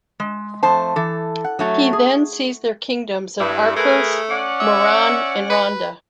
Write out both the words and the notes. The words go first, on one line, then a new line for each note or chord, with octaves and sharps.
He then seized their kingdoms of Arcos, Moron, and Ronda.
G#3
F2 A3 C5 A5
E3 A4
F#5
F#3 A3 F#4
G#4
G2 E4
A3 G#4 A#4 B4
C#4 D5 F#5
E5
B4